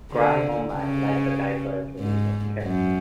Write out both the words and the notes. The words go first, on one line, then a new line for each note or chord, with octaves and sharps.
Gry Online liked the diverse range of characters.
D3
C#3
G#2
F#2